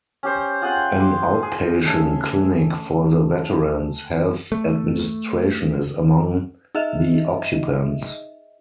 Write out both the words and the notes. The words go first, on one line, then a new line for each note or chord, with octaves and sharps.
An outpatient clinic for the Veterans Health Administration is among the occupants.
C#4 G4 C5
F4 G#4 F#5 G5
C6 D6
G#4
D2 C#4 G#4 A4 E5
A3
D#4 G#4 D#5 E5